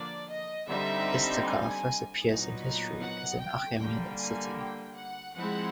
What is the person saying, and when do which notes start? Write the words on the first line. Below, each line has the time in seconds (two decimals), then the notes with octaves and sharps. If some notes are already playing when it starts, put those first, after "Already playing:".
Istakhr first appears in history as an Achaemenid city.
Already playing: D3 F3 A#3 D4 D5
0.30 D#5
0.69 D3 G3 C4 D#4 E5
1.46 G#5
2.25 A#2 F#3 B3 D#4
3.02 F#5
3.42 G5
3.80 D3 G3 A#3 G5
4.19 G#5
4.58 G5
4.97 F#5
5.36 F3 G#3 C4 E4 F#5